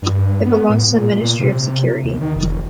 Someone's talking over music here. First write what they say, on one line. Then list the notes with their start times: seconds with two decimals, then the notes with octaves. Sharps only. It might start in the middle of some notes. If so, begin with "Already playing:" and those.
It belongs to the Ministry of Security.
0.02 G2
0.46 B3
0.69 A2
0.92 A#2
1.21 A#2
1.39 C3
2.04 D#2
2.21 D#3
2.36 F1